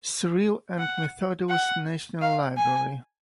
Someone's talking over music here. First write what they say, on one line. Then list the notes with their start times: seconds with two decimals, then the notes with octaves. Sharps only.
Cyril and Methodius National Library.
0.78 F#5
1.50 F#5
2.21 F5
2.57 G#5